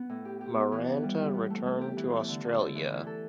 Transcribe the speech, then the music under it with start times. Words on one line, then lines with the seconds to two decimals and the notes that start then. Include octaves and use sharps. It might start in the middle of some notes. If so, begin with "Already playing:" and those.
Maranta returned to Australia.
Already playing: B3
0.10 A2
0.25 G4
0.41 G4
0.56 B3
0.72 E3
0.87 B3
1.03 G3
1.19 G3
1.34 B3
1.50 A3
1.66 A3
1.81 G4
1.97 E3
2.13 A3
2.28 D3
2.44 D3
2.60 D3
2.75 E3
2.91 E3
3.07 A4